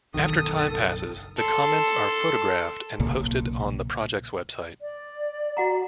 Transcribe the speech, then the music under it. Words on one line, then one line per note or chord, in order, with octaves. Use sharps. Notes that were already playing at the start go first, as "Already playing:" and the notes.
After time passes, the comments are photographed and posted on the project's website.
F#1 B1 G2 D#3 A4 D#6
A4 C6
B1 A#2 C#3 A#3
D5
F#4 F#5 A#5